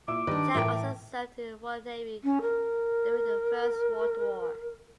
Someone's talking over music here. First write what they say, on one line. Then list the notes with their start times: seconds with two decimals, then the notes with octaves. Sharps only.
Jack also served in the Royal Navy during the First World War.
0.08 A#2 E4 D6 E6
0.27 D#3 D4 G4 B4 D5
0.55 A2 E3 E4 A#4 G5
2.23 C#4
2.41 A#4